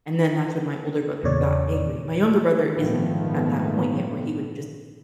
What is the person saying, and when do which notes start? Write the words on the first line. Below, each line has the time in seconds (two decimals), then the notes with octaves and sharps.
And then that's when my older brother got angry. My younger brother isn't at that point yet where he would just
1.23 E2 A#2 C#3 C#5 D5
2.74 G#1 A#2 D#3 F3 A3 B3